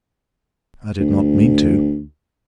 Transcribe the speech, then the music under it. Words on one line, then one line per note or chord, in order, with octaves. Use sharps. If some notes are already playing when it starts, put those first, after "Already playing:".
I did not mean to.
D2